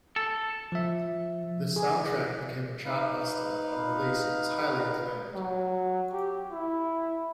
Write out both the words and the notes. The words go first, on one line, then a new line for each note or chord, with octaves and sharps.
The soundtrack became a chartbuster upon release and was highly acclaimed.
A4
F3 E5
G#4
D#4 B4 F5
F#3
G4
E4